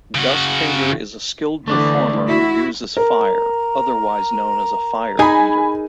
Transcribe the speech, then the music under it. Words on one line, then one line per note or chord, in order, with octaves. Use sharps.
Dustfinger is a skilled performer who uses fire, otherwise known as a fire-eater.
C#3 F#4
D3 E3 A3 D4 D5
E4 F#4
A#4 A#5
D#4 G#4 G#5 B5